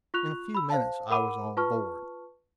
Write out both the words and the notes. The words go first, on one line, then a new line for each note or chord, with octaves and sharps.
In a few minutes I was on board.
F4 C#6 F#6 F7
B5 E6
C5 F5 A5
A#4 F#5 B5 D6 D#7
F4 B4 A5 C#6 F6